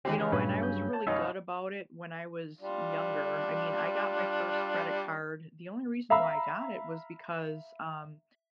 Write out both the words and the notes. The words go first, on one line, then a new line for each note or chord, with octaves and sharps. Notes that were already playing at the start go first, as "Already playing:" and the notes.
you know, and I was really good about it when I was younger. I mean, I got my first credit card the only reason why I got it was because, um,
D#2 A2 C4 G4
C#3 E3 B4 F6
G2 A#2 F#3 A3 C#4 B4
G6
A5
F#2 B2 D#4 E5 F5
G3 D4 F4
E5 F5 A#5 B5 E6